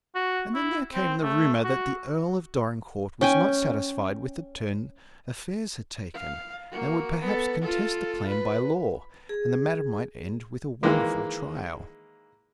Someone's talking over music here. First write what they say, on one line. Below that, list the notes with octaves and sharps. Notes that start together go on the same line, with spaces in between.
And then there came the rumor that the Earl of Dorincourt was not satisfied with the turn affairs had taken, and would perhaps contest the claim by law, and the matter might end with a wonderful trial.
F#4
E4
C4
A3
F#4
C#4 G5 G#5
F5
A#3 F#4
B3 A4
F4 A4
B4
G#4
D#3 E3 G#3 A#3